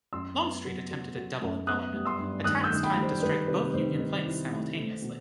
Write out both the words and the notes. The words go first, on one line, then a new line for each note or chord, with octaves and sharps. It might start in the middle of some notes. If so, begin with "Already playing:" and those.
Longstreet attempted a double envelopment: attacks timed to strike both Union flanks simultaneously.
F#2 C6 E6
B3
F#3
F#3
F#3
F#2
B3 D#6 F#6
G3
C6 E6
G2
D#3 D#6 F#6
E6 G6
D#3
G5 B5
G3
C5
D#3 B4
C3 B4
D#3 C5
D#3
E4
A3
A3
B2